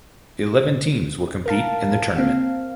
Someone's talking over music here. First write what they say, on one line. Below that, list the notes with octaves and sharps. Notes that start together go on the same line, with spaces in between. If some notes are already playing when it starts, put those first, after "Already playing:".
Eleven teams will compete in the tournament.
A#4 F5 A5
A#3 C4 F5